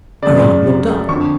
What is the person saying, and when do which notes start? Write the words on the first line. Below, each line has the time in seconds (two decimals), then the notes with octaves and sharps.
Her aunt looked up.
0.22 F#2 C#3 D5
1.09 F2 D3 C#6